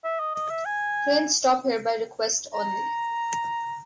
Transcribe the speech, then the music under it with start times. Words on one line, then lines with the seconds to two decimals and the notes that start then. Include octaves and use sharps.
Trains stop here by request only.
0.04 E5
0.20 D#5
0.35 D#5
0.50 E5
0.66 G#5
2.54 A#5